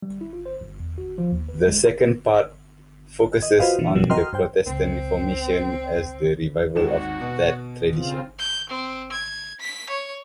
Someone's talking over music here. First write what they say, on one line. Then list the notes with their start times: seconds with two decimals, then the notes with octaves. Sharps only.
The second part focuses on the Protestant Reformation as the revival of that tradition.
0.02 G3
0.21 E4
0.33 F4
0.46 C5
0.61 G1
0.80 E2
0.98 F#4
1.18 F3
1.32 D#2
1.49 B4
1.67 G#3
3.42 D#5
3.60 F4 F#4 B4 C5 D#5 F5
3.79 A#2 D3 E3
3.95 G#2 B2 F3 G3
4.10 F#4 A#4 D#5 G5 C6 F6
4.33 G2 C5 G5
4.66 C#2 C#3 C4
6.75 G#1 D#2 F#4 E7
7.21 B2
7.92 C#3 C4 F4
8.39 G6
8.70 C4
9.12 G#6
9.60 B6
9.90 C#5